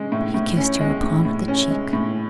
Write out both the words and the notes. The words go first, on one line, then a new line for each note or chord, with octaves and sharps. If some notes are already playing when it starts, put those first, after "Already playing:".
He kissed her upon the cheek.
Already playing: G#3 C#4
A2
A2
C#4
G#3
A2
A2
C#4
G#3
A2